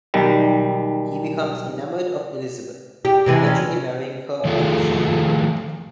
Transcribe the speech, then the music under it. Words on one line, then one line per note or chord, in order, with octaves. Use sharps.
He becomes enamoured of Elizabeth, eventually marrying her after she is widowed.
B1 D#3 G3
G4
C3 E3 G#3
C#4
D#3 F3 A3 F4 G#4 A4